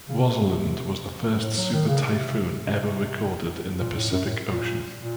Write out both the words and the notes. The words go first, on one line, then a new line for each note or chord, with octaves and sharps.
Rosalind was the first super typhoon ever recorded in the Pacific Ocean.
C#3
C3
A2
F#3
D#3
C#3
C3
C3
A#2
A2
F#2
A2
A#2
A#2